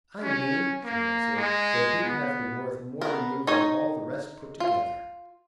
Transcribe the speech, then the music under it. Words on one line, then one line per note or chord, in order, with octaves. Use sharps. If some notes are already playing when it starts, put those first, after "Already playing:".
"I mean," she answered, "that he'd have been worth more to you than all the rest put together."
C#4
A#3
G#3
B3
B3 A#4
D#4 C#5 D#5
F4